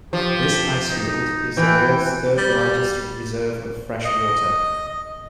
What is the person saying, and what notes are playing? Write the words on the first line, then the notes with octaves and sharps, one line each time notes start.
This ice field is the world's third largest reserve of fresh water.
F3 G4
D#4
E3 G5
G3
D#5